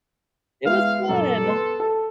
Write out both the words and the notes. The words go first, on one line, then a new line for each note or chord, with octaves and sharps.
It was fun.
G#3 B3 E4 F5
F#2 A#2 A4
B3 C6
A4